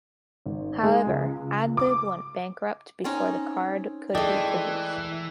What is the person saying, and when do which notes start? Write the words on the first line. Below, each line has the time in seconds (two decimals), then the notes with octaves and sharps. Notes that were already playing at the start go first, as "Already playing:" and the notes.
However, AdLib went bankrupt before the card could be produced.
0.46 G#1
0.83 G#3
1.06 C#2
1.77 D6
3.04 C4 C#4 D#4
4.15 E3 G#3 A3 D5 D#5 G5